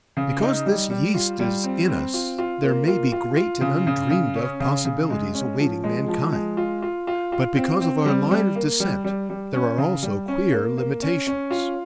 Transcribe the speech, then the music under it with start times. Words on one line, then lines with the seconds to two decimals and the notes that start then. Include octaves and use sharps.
Because this yeast is in us there may be great and undreamed of possibilities awaiting mankind; but because of our line of descent there are also queer limitations.
0.17 C#3
0.41 D#4
0.66 G3
0.90 G3
1.14 F4
1.39 G3
1.63 C4
1.88 C4
2.14 F4
2.38 F4
2.63 A#3
2.88 F4
3.12 F4
3.36 F4
3.61 C#3
3.87 C#3
4.10 C#3
4.35 C#4
4.60 C#3
4.85 C#3
5.10 G#3
5.34 C#4
5.59 F3
5.84 G#3
6.08 F3
6.32 G#3
6.57 F4
6.82 F4
7.07 F4
7.32 F4
7.56 C4
7.81 C4
8.05 G3
8.31 G3
8.55 A#3
8.80 G3
9.04 G3
9.30 G3
9.53 C#4
9.78 C#3
10.03 G3
10.28 C#4
10.52 A#3
10.77 A#3
11.02 C#4
11.27 C#4
11.51 F4